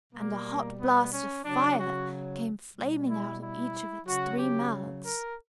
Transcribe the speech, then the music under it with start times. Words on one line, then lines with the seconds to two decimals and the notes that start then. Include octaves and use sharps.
And a hot blast of fire came flaming out of each of its three mouths!
0.13 B2 G3 A#3
0.78 B3
1.11 C#4
1.44 C#3 F#3 D4
1.77 F#4
2.75 B2 G3
3.07 E4
3.40 E4
4.05 C#3 F#3 F#4
4.38 G4
5.04 A#4